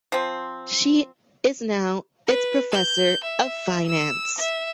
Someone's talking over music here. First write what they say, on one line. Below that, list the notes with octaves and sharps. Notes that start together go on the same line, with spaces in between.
She is now its professor of finance.
F3 C4
B4
G6
E5
E6
E5